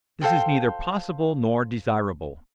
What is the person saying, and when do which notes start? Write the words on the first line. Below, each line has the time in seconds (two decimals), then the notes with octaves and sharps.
This is neither possible nor desirable.
0.21 F4 A4 C5 G5